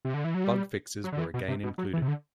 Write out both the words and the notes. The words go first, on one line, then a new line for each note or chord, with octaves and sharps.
Bug fixes were again included.
C3
D3
E3
F#3
G3
F#3
D3
E3
B2
C3
B2
F#3
E3
C3
D3